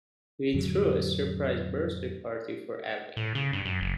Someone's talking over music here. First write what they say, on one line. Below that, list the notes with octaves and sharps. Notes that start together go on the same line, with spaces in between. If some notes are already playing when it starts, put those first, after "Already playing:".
We threw a surprise birthday party for Ali.
F2 A2 D3 F#3
A2
C#3
G2
F#2
F#1